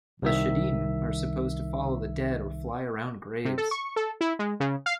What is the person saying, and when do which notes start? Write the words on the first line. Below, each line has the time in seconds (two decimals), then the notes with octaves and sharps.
The "shedim" are supposed to follow the dead or fly around graves.
0.22 C2 D#3 E5
3.45 C3
3.58 A4
3.71 C#6
3.96 A4
4.21 E4
4.39 G#3
4.60 C#3
4.86 F5